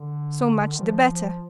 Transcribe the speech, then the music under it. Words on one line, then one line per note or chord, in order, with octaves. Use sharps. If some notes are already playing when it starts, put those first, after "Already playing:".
'So much the better.'
Already playing: D3
D#3
F3
F3